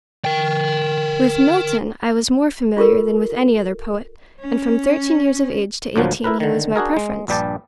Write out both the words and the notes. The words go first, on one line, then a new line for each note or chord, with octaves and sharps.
With Milton I was more familiar than with any other poet, and from thirteen years of age to eighteen he was my preference.
A#4 G5
F4 G4 A4 A#4
C#4
D2 A#2 F3 F#3
E4 A#4 B4
D3 D#3
D4 F#4 G#4 A#4
G#3
A#1 G2 G3 G4 A5